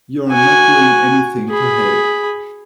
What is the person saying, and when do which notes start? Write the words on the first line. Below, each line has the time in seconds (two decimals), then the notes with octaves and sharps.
You are not doing anything to help.
0.30 F#4 G#5
1.50 G#4 B5